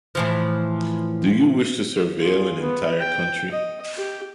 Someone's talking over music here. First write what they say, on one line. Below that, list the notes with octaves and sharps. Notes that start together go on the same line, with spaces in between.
Do you wish to surveil an entire country?
A2 E3 F3
F4 G#4
B3
G5
D#5
G4